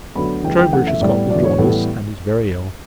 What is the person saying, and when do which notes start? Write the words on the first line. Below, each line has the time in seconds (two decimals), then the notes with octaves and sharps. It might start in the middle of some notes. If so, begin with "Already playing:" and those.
Troubridge has got the jaundice, and is very ill.
0.15 D2 D3 F#3 B3 B5
0.44 C#2 C#3 E3 G5
0.58 G5
0.72 F#2 E3 A3 F#5
0.87 E5
1.01 A2 G3 B3 D5
1.30 E2 D3 F#3 D5
1.44 C#5
1.58 A2 E3 G3 B3 A4